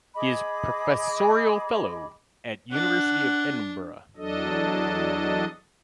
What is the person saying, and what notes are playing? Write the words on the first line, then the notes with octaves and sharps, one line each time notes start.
He is professorial fellow at University of Edinburgh.
G#4 D#5 B5 D6
D4 F#5
E2 F#3 D4 A4 D#5